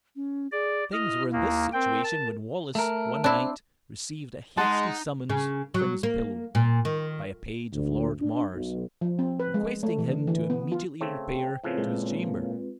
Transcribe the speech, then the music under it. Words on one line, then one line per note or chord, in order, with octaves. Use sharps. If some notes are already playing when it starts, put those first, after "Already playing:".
Things were in this situation when Wallace, one night, received a hasty summons from his pillow by a page of Lord Mar's, requesting him to immediately repair to his chamber.
C#4
G#4 D5
E4 D#5 F6
D#2 A#3
C4 A#4 G5
A5
A3 A#4
C4 D4 E4
G#3 D#4 F#5 A5 C6
C#3
F#3
A#3
A#2
D#3
D2
D4
B1
F3
C4
B4
G#3
A3
E3
D3
E3
B3
F4
C#3 A3 C4
C5 G5
A2 C#3 F3 C4 F4 B4
A#2 G#3